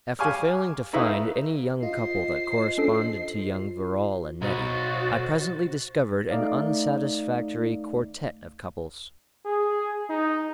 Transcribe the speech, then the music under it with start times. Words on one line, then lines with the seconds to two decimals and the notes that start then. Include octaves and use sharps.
After failing to find any young couple that corresponded to young Verrall and Nettie, I presently discovered an unsatisfactory quartette of couples.
0.19 G4 F5 G#5 C#6 D6 F6
0.93 A3 D#4 E4 B4 F5
1.83 F4 C5 D#5 C7
2.78 C#4 D4 A4
4.42 B1 F#4 C5 A6
6.31 A3 D#4 D5 D#5 F5
9.46 G#4
10.10 D#4